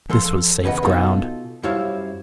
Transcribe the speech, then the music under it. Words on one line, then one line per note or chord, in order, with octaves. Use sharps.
This was safe ground.
F3 A4 C6
E2 C#3 B4 D#5 F#5
B2 D#4 F4 A4
F#2 G3 E4 C5 C#5 F5